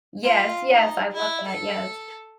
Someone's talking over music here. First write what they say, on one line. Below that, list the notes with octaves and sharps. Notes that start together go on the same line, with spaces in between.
Yes, yes, I love that, yes.
F4
D#4
E4
A4